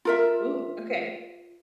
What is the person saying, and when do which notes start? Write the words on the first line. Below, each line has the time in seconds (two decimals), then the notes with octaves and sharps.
Ooh, okay.
0.05 F4 A#4 E5